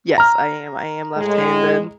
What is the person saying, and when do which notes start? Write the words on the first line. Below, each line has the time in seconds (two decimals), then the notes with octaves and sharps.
Yes, I am, I am left-handed,
0.18 A#5 F6
1.17 A2 G#3